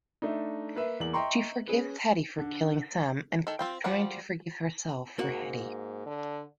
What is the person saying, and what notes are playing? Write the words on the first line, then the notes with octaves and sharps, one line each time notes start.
She forgives Hedy for killing Sam, and keeps trying to forgive herself for Hedy.
A3 D4 D#4
A#3 B4 E5
E2 A#3 F#7
D#5 E5 G5 A#5 C6 C#6
C#4 G#4 B4
D3
D#3 A4
C4 F4 G5
F3 G3 D5 F#5
G#2 A#3 F#4
D3